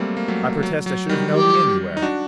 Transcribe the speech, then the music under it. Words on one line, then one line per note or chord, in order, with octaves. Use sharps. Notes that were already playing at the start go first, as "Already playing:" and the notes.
I protest I should have known thee anywhere.
Already playing: F#3 G3 A3 A#3 C4
A#3
F#3 A3
F#3
F#3
D#3 G3
G4
D#4
D4 F#4